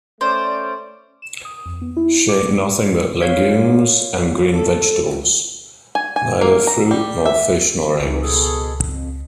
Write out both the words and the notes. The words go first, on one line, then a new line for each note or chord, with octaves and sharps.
She ate nothing but legumes and green vegetables: neither fruit nor fish nor eggs.
A3 C#4 C5 D5
E7
D#6
F2
B3
E4
D6
F4 C#5 F5
A4
G#5
G#5
A#3
A#5
G3
E5
C#2 G#2 C3 E3
B2 G#4 A4
F2